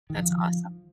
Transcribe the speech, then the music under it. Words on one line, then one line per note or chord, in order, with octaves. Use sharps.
that's awesome.
D#3
F3